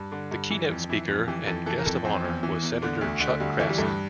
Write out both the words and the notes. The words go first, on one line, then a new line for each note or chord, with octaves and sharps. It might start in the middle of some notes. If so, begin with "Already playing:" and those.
The keynote speaker and guest of honor was Senator Chuck Grassley.
Already playing: G2
D3
G2
E3
F2
E3 E4
F2
E3 G4
F2 A4
E3 A4
A#4
F2 A4
E3 C4
E2
E3
E2
D3
D2
D3 A3
D2 G3
E3 A3
G3
G2 A3